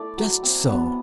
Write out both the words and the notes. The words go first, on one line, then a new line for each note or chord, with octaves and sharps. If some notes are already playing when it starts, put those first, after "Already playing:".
Just so.
Already playing: A3 E4 D5
F#3
C4
B3